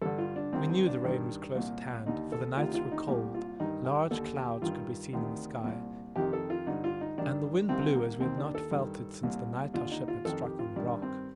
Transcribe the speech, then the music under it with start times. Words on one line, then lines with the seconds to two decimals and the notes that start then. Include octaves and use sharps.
We knew the rain was close at hand, for the nights were cold; large clouds could be seen in the sky, and the wind blew as we had not felt it since the night our ship had struck on the rock.
0.01 G2 D3 A4
0.18 F4
0.36 D4
0.53 C2 C3 D#3 C4
0.70 C4
0.87 D4
1.04 G2 D#3
1.55 C2 A#2
2.06 D#2 D3 D#4
2.32 A4
2.57 D2 C3 D#3 F4
2.74 F4
2.92 D#4
3.08 C2 A#2 G4
3.34 F4
3.60 G2 D#3 D#4
3.85 G4
4.11 D#2 D3 A4
4.36 G4
4.62 G2 D#3 F4
5.13 D2 C3 D#3
5.64 C2 A#2
6.16 F2 C3 D#3 G4
6.33 A4
6.50 F4
6.67 G2 D3 D#4
6.84 F4
7.01 D#4
7.18 G2 D#3 D4
7.69 C2 C3 D#3 C4
7.95 A#3
8.20 D#2 D#3 C4
8.38 D4
8.55 A4
8.71 G2 D#3
9.23 C2 A#2
9.73 D#2 D3 F4
9.91 D#4
10.08 F4
10.25 F2 D#3 A4
10.42 G4
10.59 F4
10.76 G2 D#3 D4
11.02 C4